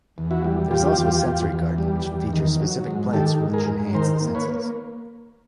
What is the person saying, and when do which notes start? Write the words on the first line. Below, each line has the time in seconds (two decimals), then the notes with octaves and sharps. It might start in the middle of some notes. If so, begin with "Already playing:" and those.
There is also a sensory garden which features specific plants which enhance the senses.
0.18 E2
0.31 E4 F#4
0.44 G3
0.71 E2 F4 G4
0.98 E2
1.26 E2
1.52 E2
1.78 G3
2.06 E2
2.33 D#3
2.60 F#3
2.87 G#2
3.13 D#3 G4 A4
3.40 G#2
3.54 G#4 A#4
3.67 G#2
3.94 D#3 A#4 C5
4.21 A#3
4.35 B4 C#5
4.49 A#3